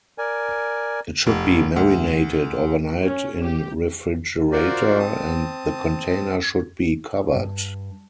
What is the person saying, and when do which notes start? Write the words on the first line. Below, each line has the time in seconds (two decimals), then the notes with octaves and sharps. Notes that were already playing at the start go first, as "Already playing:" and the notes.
It should be marinated overnight in refrigerator, and the container should be covered.
0.18 A#4 D5 G#5
1.27 F1
1.76 D2
3.03 C#4
3.45 G4
4.52 F4 F#4 A#4 C5 D5
4.99 C4 A5 D#6
7.34 G2